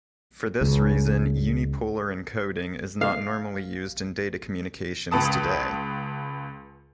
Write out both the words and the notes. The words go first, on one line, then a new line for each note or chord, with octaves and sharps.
For this reason, unipolar encoding is not normally used in data communications today.
C#2
F5
C#2 B4 A5 D#6